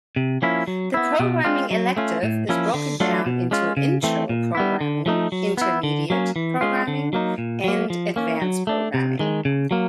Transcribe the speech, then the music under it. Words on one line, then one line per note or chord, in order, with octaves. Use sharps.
The Programming elective is broken down into Intro Programming, Intermediate Programming, and Advanced Programming.
C3
F3 A#3 C#4 E4
F#3
B3 E4
B2
G#3 C4 F4
F#3
A3 C#4 F4
A2
F3 A#3 C#4 E4
D3
F#3 A3 D4 F4
B2
G#3 C#4 F4
C#3
E3 A3 C4
A#2
G3 B3 E4
D3
F3 A3 C4 D#4
F#3
B3 E4
D3
F#3 A#3 C#4
E3
G#3 C#4 F4
D3
F#3 A#3 D#4
A#2
F#3 A#3
F3
A#3 C#4
F#3
A3 D4
C3
D#3 G#3
C#3
F#3 A#3